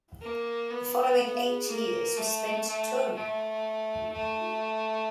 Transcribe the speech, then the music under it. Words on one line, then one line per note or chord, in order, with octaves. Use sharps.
The following eight years were spent touring.
A#3
B3
A#3
A3
A3
A3
A3